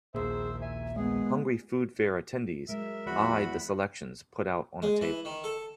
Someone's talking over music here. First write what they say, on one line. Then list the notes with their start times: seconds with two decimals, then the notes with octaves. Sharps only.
Hungry food fair attendees eye the selections put out on a table.
0.15 A#1 D#2 A#2 G#4 C5 E5
0.61 E5 G#5
0.96 G#3 B3 G#4
2.69 F#3 G#3 A#4 E5
3.06 E2 F3 F#4 D5 B5
4.82 G#3
5.01 E3
5.25 D#3
5.44 A4